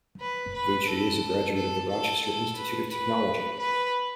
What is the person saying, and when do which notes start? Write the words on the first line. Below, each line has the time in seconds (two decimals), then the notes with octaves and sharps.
Vucci is a graduate of the Rochester Institute of Technology.
0.20 B4
0.53 B4
0.87 A4
1.55 A4
1.89 A4
2.22 A4
2.56 B4
2.90 B4
3.59 B4